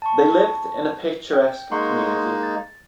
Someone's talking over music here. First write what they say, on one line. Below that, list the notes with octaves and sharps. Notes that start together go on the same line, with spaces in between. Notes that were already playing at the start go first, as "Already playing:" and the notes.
They lived in a picturesque community.
A5 C#6
G5
G#3 A#3 D#4 F#5 C6 C#6
A6